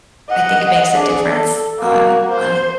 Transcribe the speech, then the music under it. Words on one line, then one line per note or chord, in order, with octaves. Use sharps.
I think, makes a difference on on
D#5 F#5
D4 G#4
A4
A#3 F#4
C5